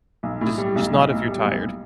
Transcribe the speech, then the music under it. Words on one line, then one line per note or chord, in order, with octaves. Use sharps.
Just just not if you're tired,
B1
A2
G3
B1
B1
A2
G3
B1